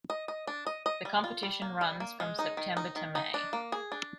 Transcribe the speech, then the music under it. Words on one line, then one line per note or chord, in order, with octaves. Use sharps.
The competition runs from September to May.
D#5
D#5
D4
D#5
D#5
G3
F4
G3
A#3
G3
A#3
G#3
D#4
D#3
D#4
D#3
D#4
D4
A#3
G#4
D4